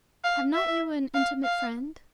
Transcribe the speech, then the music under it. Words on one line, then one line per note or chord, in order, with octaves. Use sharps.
"Have not you an intimate friend?"
F5
E5
F5
F5